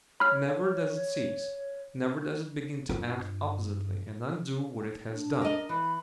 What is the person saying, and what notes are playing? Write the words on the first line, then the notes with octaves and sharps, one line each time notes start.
Never does it cease: never does it begin to act oppositely and undo what it has done.
C#5 B5 F6
G2 F4
D4
A#4 D5 D#5
E3 B5